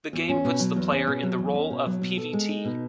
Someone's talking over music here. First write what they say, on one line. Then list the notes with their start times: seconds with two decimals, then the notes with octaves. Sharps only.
The game puts the player in the role of Pvt.
0.13 E2
0.29 C#4
0.45 B2
0.60 F#3
0.76 E2
0.92 C#4
1.07 B2
1.23 F#3
1.38 E2
1.54 C#4
1.70 B2
1.86 F#3
2.02 B2
2.17 A4
2.33 G#3
2.49 D#4
2.65 B2